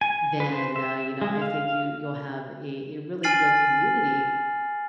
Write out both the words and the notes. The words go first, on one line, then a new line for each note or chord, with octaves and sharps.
then, uh, you know, I think you, you'll have a a really good community
G#5
B4
C5
E5
G#3
F5
G#5 F6 A6 C7 D#7 F#7